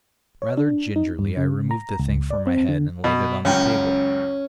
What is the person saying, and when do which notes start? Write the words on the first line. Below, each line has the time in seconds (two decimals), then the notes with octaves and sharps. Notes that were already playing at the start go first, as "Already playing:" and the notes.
Rather gingerly I removed the thing from my head and laid it on the table.
0.42 C#5
0.57 D4
0.96 D#4
1.19 G2
1.37 C#3
1.71 A#5
2.00 C#2
2.30 D5
2.47 C4
2.69 D3
3.04 B2
3.45 C#2 F#2 C#4 G5